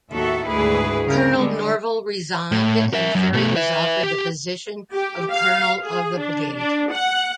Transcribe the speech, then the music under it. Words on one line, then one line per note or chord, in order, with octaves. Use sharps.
Colonel Norvell resigned and Ferry was offered the position of Colonel of the Brigade.
D#2 A2 D#3 F#4 A4 E5
D2 G#2 E4 G#4 B4
G2 C#3 A#4
D3 G3 G#3
A2
A#4 E5
F#2
B2 A3
B4 E5
G4
G4
F5
G#4
D4
D4
F#5